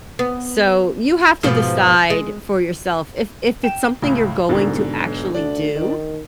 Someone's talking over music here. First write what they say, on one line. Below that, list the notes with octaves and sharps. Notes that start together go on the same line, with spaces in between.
So, you have to decide for yourself, if if it's something you're going to actually do,
B3
G#2 B2 F3
G#3
G5 E7
C#2 A2
C2 G#2 B2 D3
B1
D2 D4
D#3